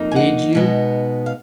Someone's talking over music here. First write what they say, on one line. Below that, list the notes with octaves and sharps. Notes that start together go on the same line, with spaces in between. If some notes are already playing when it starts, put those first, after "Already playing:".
Feed you?
Already playing: F2 A#3 D#4
G#5
D#5 F#5
B2 G#3 B3 D#4
F5